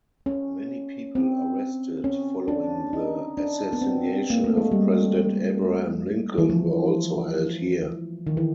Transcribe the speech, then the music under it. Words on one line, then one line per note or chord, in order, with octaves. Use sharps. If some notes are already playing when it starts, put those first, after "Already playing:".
Many people arrested following the assassination of President Abraham Lincoln were also held here.
C#4
C4
C#4
D4
D#4
D4
B3
C4
A#3
A3
G#3
G3
E3
F3
D#3
E3